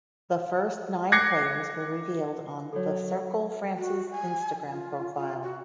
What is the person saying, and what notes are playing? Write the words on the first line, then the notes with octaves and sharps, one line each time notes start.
The first nine players were revealed on "The Circle France"s Instagram profile.
D6 F#6 G#6 A#6 C7 C#7
F#3 A4 C#5
F#4
G#5
F4
F4
F#4